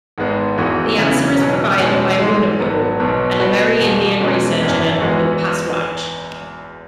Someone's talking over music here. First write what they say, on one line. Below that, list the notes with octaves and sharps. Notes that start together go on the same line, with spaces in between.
The answer is provided by Hunahpu, an Amerindian researcher with Pastwatch.
G#1 G#2 G#3 B3
E1 E2 E3 B3 F#4
E2 C#3 F#3 E4
E2 B2 F#3 C#4
E2 B2 G#3 C#4
G#2 E3 G#3
G#1 G#2 F#3 B3
B1 B2 F#3 B3
B2 B3 F#4 B4
E1 E2 B2
E2 B2 G#3 C#4
G#1 F#2 E3 B3
E2 E3 G#3 B3 F#4